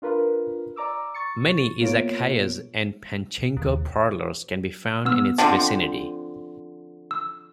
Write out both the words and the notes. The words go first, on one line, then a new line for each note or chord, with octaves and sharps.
Many "izakayas" and pachinko parlors can be found in its vicinity.
D4 F4 A#4 B4
D5 A#5 D6 E6
C#6 A6 C#7
A#3 B3 F4 C#5 D7
D#2
B3 E6 F6
D3 F3 C4
E6